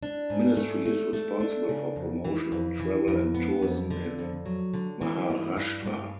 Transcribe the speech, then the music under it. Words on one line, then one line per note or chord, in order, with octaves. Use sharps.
Ministry is responsible for promotion of travel and tourism in Maharashtra.
D4
G#2
A3
A3
A3
D4
C#3
F2
E3
F2
E3
F2
B3
F2
D3
F2
F#3
D3
E3
G2
G2
G2